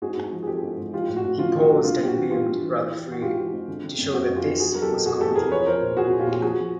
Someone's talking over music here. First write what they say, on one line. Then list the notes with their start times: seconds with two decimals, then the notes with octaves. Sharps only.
He paused, and beamed rather freely, to show that this was comedy.
0.02 G#2 F#4 G#4
0.17 G#2
0.32 F3
0.43 G#4
0.47 F3 G4 A4
0.62 G#2
0.77 G#2
0.93 F3 F4 G4
1.09 A2
1.17 F#4
1.24 A2
1.39 F3 F4
1.52 F3 F4
1.62 F#4
1.69 F3
1.84 G2 F4
2.00 G2 G4
2.07 F#4
2.16 E3
2.30 E3 F4 G4
2.46 G2
2.61 E3
2.76 E3
2.91 E3
3.08 E3 F#4
3.22 G#2 F4 G4
3.38 E3
3.53 G#2
3.68 D3
3.84 D3
3.98 F#2
4.13 F#2 F#4
4.29 F#2
4.36 F4 G4
4.45 D3
4.60 E2 F#4 G#4
4.75 F#3 A#4
4.82 G4 A4
4.91 B2
5.06 B2 F#4 G#4
5.21 E2 G4 A4
5.35 E2 G#4 A#4
5.51 F3 B4 C#5
5.66 F3 A#4 C5
5.82 A#2
5.97 A#2 F#4 G#4
6.13 A#2
6.19 F4 G4
6.27 A#2
6.42 F3 F#4 G#4
6.59 F3